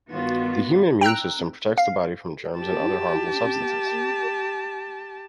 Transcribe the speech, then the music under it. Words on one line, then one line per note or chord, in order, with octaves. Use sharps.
The human immune system protects the body from germs and other harmful substances.
G2 D#3 B3 F4 F#4
G5 A#5 E6 F#6
F5
G4 A5